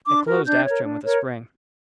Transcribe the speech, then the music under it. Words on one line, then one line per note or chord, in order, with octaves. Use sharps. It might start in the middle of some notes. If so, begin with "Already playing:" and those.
It closed after him with a spring.
D4 D6
F#4 A#4
D4 G6
A#4 C#5
D4
A#4 C#5